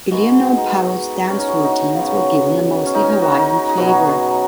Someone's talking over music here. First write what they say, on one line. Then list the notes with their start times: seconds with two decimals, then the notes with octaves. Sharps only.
Eleanor Powell's dance routines were given a mostly Hawaiian flavor.
0.11 D#3 G#3 B3 F#4
0.57 D#4
1.30 C#4
1.39 D#4
1.48 F#4
1.64 D#4
1.72 F#4
1.94 C#3 F#3 B3
2.86 C#4
2.94 D#4
3.03 C#4
3.22 F#4
3.32 D#4
3.69 G#4
3.77 B2 F#3 B3 F#4